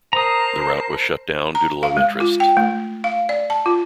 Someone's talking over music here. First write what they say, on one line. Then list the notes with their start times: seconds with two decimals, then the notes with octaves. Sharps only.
The route was shut down due to low interest.
0.13 A#4 C5 A5 A#5 D#6
1.55 A#5
1.83 F5
1.97 G#3
2.20 F4
2.40 G5
2.57 A3
3.04 F5
3.29 D5
3.50 A5
3.66 F4